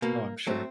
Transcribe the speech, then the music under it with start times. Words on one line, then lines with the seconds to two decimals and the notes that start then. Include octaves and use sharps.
Oh, I'm sure.
0.02 B2 A#3
0.47 F#3 A3 C4